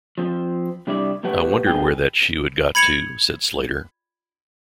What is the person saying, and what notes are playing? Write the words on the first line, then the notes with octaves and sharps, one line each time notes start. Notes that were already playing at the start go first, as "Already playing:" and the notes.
"I wondered where that shoe had got to," said Slater.
F3 C4
C3 G3 D4 E4 D5
B2 F#3 A3 G4 B4 F#5
G#2 B3 G#4 G5
B5 G#6 C#7 F7 F#7